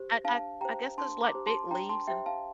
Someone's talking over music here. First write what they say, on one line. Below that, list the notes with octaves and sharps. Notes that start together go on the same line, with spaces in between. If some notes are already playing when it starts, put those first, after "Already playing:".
I I I guess 'cause, like, big leaves and
Already playing: G4 C5
D4 F5 A5
G4 C5 G5 A#5
D4 A5 C6
A#5 D6
G4 C5
A5 C6
D4 G5 A#5
A5 C6
G4 C5 E5 G5
F5 A5